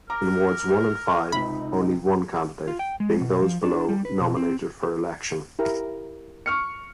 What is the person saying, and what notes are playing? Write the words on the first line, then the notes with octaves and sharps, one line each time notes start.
In Wards One and Five, only one candidate, being those below, nominated for election.
A#4 A#5 D6
C#2 C3 D#4 B5
F4
G5
G#3
B2
F3
D4
G3
B4
B2
C4
E4 G4 A#4
C#6 F6 C#7